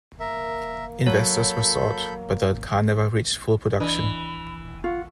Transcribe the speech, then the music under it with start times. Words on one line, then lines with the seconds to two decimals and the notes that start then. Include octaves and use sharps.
Investors were sought but the car never reached full production.
0.20 A#3 A#4 E5
1.06 F#3 A4 C#5 B5 G6
3.80 E3 D4 B4 D#5 B5
4.84 F4 F#5 C#6